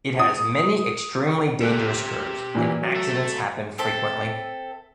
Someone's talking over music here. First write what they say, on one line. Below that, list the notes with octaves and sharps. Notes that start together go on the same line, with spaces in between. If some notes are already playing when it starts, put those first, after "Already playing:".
It has many extremely dangerous curves, and accidents happen frequently.
D#6
A3 G4 E5 F#6
A#2 E3
F#3
A4 E5
C4 A4 E5